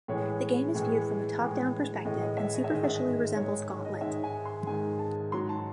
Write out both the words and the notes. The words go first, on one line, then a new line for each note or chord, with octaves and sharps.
The game is viewed from top-down perspective and superficially resembles "Gauntlet".
A2 E3 G#3 C#5
A2 E3 G#3
A2 E3 G#3
A2 E3 G#3 D#5
D#5
E5
D#5
E5
G#2 D#3 G#3 D#5
E5
D#5
G#2 D#3 G#3 C#5
C#5
D#5
G#2 D#3 G#3 E5
G#5
C6
G#2 D#3 G#3 G#5
A5
G#2 F#3 C6
A5